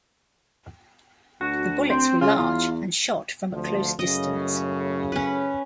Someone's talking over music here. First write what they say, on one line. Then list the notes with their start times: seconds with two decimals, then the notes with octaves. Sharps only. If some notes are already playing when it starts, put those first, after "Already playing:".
The bullets were large and shot from a close distance.
1.41 D2 F#4
1.90 C4 C5
2.21 C#3 F4
2.38 E2 F4
3.52 D2 C3 F3
3.99 F#2 A2 C#3 D#5
5.12 C#4 B4